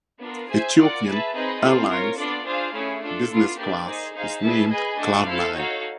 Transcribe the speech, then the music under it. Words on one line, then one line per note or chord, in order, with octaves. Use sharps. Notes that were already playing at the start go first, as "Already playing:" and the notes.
Ethiopian Airlines' Business Class is named "Cloud Nine".
B3 D4 F4 A#4
G#4 C5 E5 G#5
F4 A#4 D5 F#5
G#4 B4 E5 A5
C4 D#4 G#4 B4 D#5
C4 F4 A4
F4 A#4 C#5
B3 D4 F4 A4 D5
D4 F4 G#4 C5 F5
A3 C#4 E4 G#4
D4 F4 A4
B3 D4 F4
A#3 D4 G4 B4 D5
D#4 G#4 C5
D#4 G#4 C5 F5
G#4 B4 E5 A5
G#4 B4 D#5 G#5
A3 D4 F#4
E4 A4 C5 F5
D#4 F#4 A4 C#5 F5